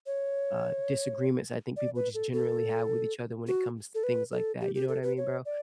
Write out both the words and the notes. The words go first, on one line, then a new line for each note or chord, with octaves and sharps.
uh, disagreements I think people just generally have with each other when it comes to things like that. You know what I mean, bro?
C#5
D5
B4
A4
A4
F#4
A4
B4
A4
G4
G4
A4
B4
C#5
D5